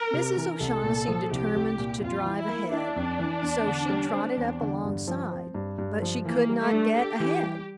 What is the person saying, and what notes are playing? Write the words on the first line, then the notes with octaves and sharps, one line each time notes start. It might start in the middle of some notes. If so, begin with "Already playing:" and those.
Mrs. O'Shaughnessy determined to drive ahead; so she trotted up alongside, but she could not get ahead.
Already playing: A#4
C3
E3
C2 A4
A#2
F3
C2 G4
C2
A#2
F2 F4
E3
E4
A#3
D4 E4
F2
E3
E2
D3
G3
C4
E2
D3
G2
F3
C4
G2
G2
F3
E3 A#3
G3
A3
D4
G4 A4
E3
G3